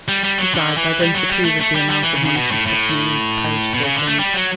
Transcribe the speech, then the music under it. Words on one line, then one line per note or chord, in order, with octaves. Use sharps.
Besides I don't approve of the amount of money she's putting into perishable things.
G3
G3
F#3
D3
E3
G3
F#3
G3
A3
A3
G3
G3
E3
C#3
C#3
B2
A2
A2
B2
C#3
D3
A3
G3
F#3